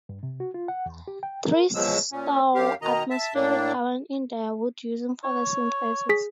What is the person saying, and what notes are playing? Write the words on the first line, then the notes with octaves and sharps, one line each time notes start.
Trees store atmospheric carbon in their wood using photosynthesis.
G2
C3
F#4
F4
F#5
E2
G4
G5
A#4
E2 B2 F3 F#3 G#3 E6
A#2 C#4
F#2 G4 F5
B2 D#3 D#5 A#5
E5 A5
A2 A#3 D4
C#5
G#4 B6